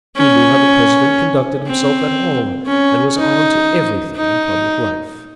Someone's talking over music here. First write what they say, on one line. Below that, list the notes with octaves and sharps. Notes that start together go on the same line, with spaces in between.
He knew how the President conducted himself at home, and was 'on to everything' in public life.
C#4
C4
C#4
D#4
D#4